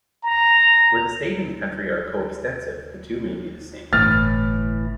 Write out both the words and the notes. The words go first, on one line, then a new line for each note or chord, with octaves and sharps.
Where the state and the country are co-extensive, the two may be the same.
A#5
G1 A2 E3 F6 A6